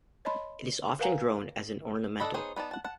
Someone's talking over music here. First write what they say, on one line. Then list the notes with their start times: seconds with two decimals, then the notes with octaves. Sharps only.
It is often grown as an ornamental.
0.25 C#5 D#5 A5 B5 C6
0.99 A#4 B4 F5 F#5 G#5 A#5
2.20 D4 F#4 A4 D#5 B5
2.34 B3 D#4 G#4 C5 C#5
2.56 B3 D#4 D5 A5
2.71 F#5 A5
2.84 F#5 A5